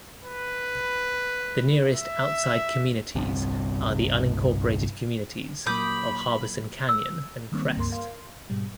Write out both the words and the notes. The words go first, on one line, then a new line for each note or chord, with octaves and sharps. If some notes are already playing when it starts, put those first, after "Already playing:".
The nearest outside communities are the unincorporated communities of Harbison Canyon and Crest.
B4
E5
G1 C2 G3 C4
A#2 F#3 A#3 B5 D6 D#6 G6
E6
D#3 G3 A#3 C4
C#2 G2 A#3 A#4 C6
A#4 F5 C6
G#2 B2 G3